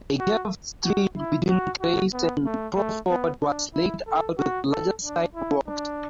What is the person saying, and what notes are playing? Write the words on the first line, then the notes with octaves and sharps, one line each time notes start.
The curved street between Grace and Crawford was laid out with larger sidewalks.
F#4
F#4
E4
F#4
F#4
B3
A3
A3
B3
D4
E4
A4
F#4
A4
D4
E4
D4